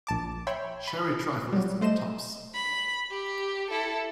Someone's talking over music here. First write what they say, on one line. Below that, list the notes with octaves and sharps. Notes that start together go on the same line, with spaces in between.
Sherry trifle is the tops!
A#1 A5 D6
C#5 E5 G5 B5 C6
B5
F#3 G3
A3 C5 D#5 E7
B5
G4
E4 A4